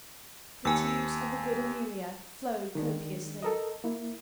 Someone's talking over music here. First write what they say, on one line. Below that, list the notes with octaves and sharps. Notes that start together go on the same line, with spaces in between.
The tears of the good Amelia flowed copiously.
D#2 G#5 E6
D#3 G#3 D4
A4 A#4 D#5
A#3 E4